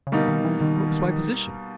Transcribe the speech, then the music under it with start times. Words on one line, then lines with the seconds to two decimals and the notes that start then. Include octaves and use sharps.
And what was my position?
0.07 C#3
0.12 B2 D3 G3 A#3 D#4
0.28 D#3
0.45 E3
0.61 D#3